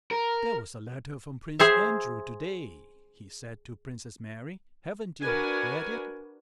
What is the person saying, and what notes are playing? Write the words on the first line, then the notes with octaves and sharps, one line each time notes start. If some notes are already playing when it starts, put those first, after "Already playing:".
"There was a letter from Prince Andrew today," he said to Princess Mary- -"Haven't you read it?"
A#4
G#4 C5 E5
D4 F#4 A#4 B4 G#5